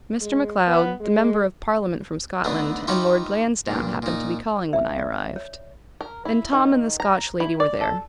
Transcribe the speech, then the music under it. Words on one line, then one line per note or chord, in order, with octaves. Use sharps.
Mr. MacLeod, the member of Parliament from Scotland, and Lord Lansdowne happened to be calling when I arrived, and Tom and the Scotch lady were there.
G#3
B3
G#3
D3 A3 B3 D#4
D#4 F4 G4 E5 B5 C#6
G2 A#2
A#2 D#4
E5
D5
C#5
A#4
E4
D#3
A#5
E4
D5
A4